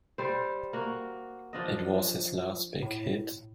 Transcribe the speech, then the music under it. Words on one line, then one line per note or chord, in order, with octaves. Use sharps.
It was his last big hit.
G3 C5
A#3 F#4
F3 D4 D#5
A2